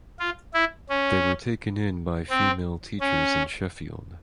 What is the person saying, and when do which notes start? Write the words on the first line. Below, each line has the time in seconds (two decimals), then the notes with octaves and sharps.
They were taken in by female teachers in Sheffield.
0.19 F4
0.54 E4
0.90 C#4
2.30 C4
3.01 C#4